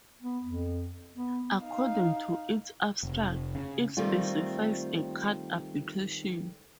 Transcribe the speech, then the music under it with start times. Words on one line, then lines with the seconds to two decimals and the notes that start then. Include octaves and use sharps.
According to its abstract, it specifies a card application.
0.22 B3
0.44 F2
1.15 B3
1.63 D#4 F5
3.03 F1
3.55 C#3
3.97 D#3 G3 A3 C4 F4